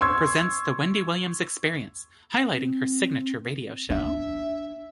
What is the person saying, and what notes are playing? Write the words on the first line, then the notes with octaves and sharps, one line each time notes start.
Presents "The Wendy Williams Experience", highlighting her signature radio show.
C6 C#6 E6 G#6
C4
D4 E5